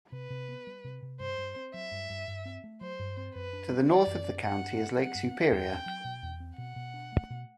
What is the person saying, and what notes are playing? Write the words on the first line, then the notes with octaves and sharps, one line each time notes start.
To the north of the county is Lake Superior.
C3 B4
C3
B3
G3
C3
C3
G2 C5
G2
C4
F#3 E5
G2
G2
G2
C4
A3
F#3 C5
G2
C4
F#2 B4
D4
G3
E3 D5
F#2
D4
G2 F#5
D4
B3
F#3 F#5
G2
D4
E2 G5
C4
F#3
B2
E2
C4
B2 F#5
B2
D4
A3
B2